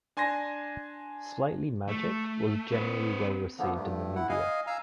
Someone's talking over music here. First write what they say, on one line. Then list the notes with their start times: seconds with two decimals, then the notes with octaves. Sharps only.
"Slightly Magic" was generally well received in the media.
0.17 D4 G#5 C6 G#6 A#6
1.88 A3
2.72 C4 B4
3.59 D3 F3 A#3 B3
3.74 G2 A3
4.16 E4 F#5
4.29 D#5 F5 G#5
4.67 F5 G#5 A#5 E6